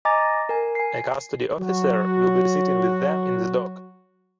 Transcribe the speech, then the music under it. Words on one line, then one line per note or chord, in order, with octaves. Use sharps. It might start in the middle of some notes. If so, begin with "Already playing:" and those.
A custody officer will be sitting with them in the dock.
D#5 G#5 A#5 D6 A6 A#6
A#4 G#5
G#5 C7
F#3 F#4